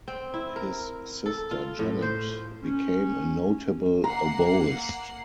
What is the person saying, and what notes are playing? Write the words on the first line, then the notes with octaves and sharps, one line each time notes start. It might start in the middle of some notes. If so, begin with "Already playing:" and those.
His sister Janet became a notable oboist.
C4
E4
A#4
A4
F4
A2
C5
C#4
A#3 F#5 A#5 C7